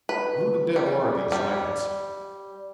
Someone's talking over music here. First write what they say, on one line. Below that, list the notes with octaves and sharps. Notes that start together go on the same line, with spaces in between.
Who the devil are these lads?
B4
G3
G3